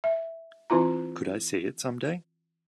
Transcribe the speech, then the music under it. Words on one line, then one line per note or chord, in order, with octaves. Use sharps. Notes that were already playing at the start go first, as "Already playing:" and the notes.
Could I see it some day?
E5
E3 C4 E4 F4 A#5